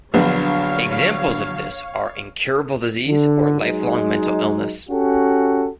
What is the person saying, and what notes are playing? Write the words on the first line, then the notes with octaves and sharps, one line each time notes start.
Examples of this are incurable disease or lifelong mental illness.
A#1 D3 F#3 B3 D4 C#5 F5
D3
F#3 G#3 D#4
C#4 F#4 G4 A4